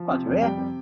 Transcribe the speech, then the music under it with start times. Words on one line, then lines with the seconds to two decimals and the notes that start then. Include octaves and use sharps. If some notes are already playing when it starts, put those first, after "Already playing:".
Glad you're here.
Already playing: F3
0.10 C3
0.27 F2
0.42 G3 G5
0.58 C3